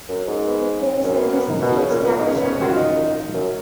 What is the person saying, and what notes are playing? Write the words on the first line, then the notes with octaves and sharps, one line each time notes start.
There is a recently established hut here.
F#2
G#2
B3
B3
F#2 C#4
B3
A#3
B3
B2 B3
C#3 B3
A#2 A#3
G#2
A#2 B3
G#2 D#4
C#4
G#2 B3
C#4
F#2 F#4
F4
D#4
F#2